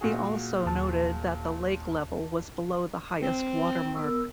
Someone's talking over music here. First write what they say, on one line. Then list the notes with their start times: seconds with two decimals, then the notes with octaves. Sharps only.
He also noted that the lake level was below the highest watermark.
0.01 A#2 F#4 G#4
0.66 D#2 A5
3.22 C4
3.95 B3 A#4 E6